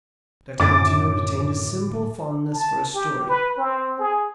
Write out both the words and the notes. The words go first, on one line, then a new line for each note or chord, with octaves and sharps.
Dr. Martineau retained a simple fondness for a story.
F#2 A2 D3 D#3 D6 A6
A5
G4
B4
C4
G#4